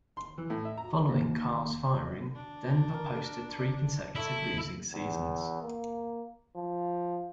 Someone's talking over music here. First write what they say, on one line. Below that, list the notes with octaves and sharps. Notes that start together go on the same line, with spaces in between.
Following Karl's firing, Denver posted three consecutive losing seasons.
C6
E3
A2
E5
A#5
D#2
D4
A#4
D5
A3 E4 D#5
E2
A#3
F3